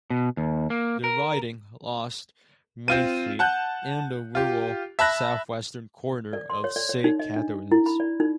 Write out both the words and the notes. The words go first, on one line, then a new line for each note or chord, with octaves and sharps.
The riding lost Wainfleet and the rural southwestern corner of Saint Catharines.
B2
D#2
A#3
A#4
C4 F4 D#7
F#5 A5 F#6 G6
F4 G4
E5 A5 B5 F#6 A#6
D5
C6
C#5
D5
C#5
D#4
D#5
D4
E4
B5
D5
D#4